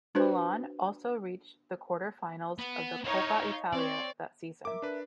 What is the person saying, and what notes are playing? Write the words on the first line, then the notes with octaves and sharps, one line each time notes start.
Milan also reached the quarter-finals of the Coppa Italia that season.
D4 F#4 B4 C5
B3
D#4 E4 C#5 F5
C4 C#5 D5
A#4 E5 D6
D4 B4